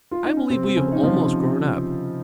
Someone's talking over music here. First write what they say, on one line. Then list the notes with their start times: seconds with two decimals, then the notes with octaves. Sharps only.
I believe we have almost grown up.
0.11 F4
0.24 D#4
0.37 C#4
0.50 C3 C4
0.67 C4
0.77 C#3 F3 C#4
0.92 D#4
1.03 C3 F3 F4